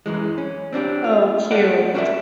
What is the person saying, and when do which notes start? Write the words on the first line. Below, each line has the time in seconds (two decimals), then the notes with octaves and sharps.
Oh, cute.
0.06 F#2 E3 G#3
0.38 C#4
0.73 C4 D4 F#4 G4
1.04 F4
1.51 A4 D5 D#5 F#5 G5
1.94 C#4 F#4 A#4 C5 D5 E5